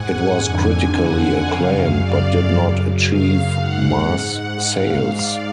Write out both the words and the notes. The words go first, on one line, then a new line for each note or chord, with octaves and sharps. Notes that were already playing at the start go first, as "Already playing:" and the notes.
It was critically acclaimed, but did not achieve mass sales.
Already playing: G#2 F#5 G#5
F2 D3 G#5
F#5
F#2 C#3 F5
D5
F#2 C#3
F5
G#2 F#5
G#2 F5
D5